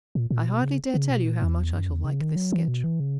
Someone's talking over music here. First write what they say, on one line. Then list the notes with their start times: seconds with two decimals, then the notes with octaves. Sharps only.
I hardly dare tell you how much I shall like this sketch.'
0.15 A#2
0.31 A#2
0.46 B2
0.63 C#3
0.94 C#3
1.10 B2
1.25 A#2
1.42 E2
1.73 F#2
1.89 E2
2.05 C#3
2.21 D#3
2.36 F#3
2.52 E3
2.68 B2
2.84 E3
3.00 C#3